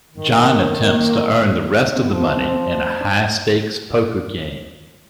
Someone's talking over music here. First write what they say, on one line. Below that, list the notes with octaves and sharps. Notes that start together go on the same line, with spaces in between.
John attempts to earn the rest of the money in a high-stakes poker game.
D#3
C#4
A#3
C4
F3 B3
B3
C4
D4